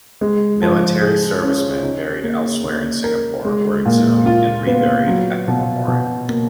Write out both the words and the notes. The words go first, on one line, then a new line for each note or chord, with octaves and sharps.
Military servicemen buried elsewhere in Singapore were exhumed and reburied at the memorial.
G#3
F3
G#4
C#4
D#4
A#3
A#3
A#4
G#3
A#2
F4
B3
F#3
B2
B2
A#3